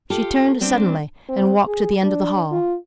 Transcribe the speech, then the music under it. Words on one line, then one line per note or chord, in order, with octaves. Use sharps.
She turned suddenly and walked to the end of the hall.
F4 G4 A4
G3 B3 C4 D4
C4
G#4
D4
F4